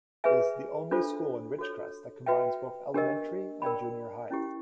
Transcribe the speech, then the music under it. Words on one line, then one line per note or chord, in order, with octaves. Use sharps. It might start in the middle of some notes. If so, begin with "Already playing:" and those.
It is the only school in Ridgecrest that combines both elementary and junior high.
G#4 B4 E5 G#5
D4 F4 A4 C5
F#4 A4 C#5
F#4 B4 E5 G5
D4 G4 A#4 D#5
A#4 D5 G5 B5
C#4 E4 G4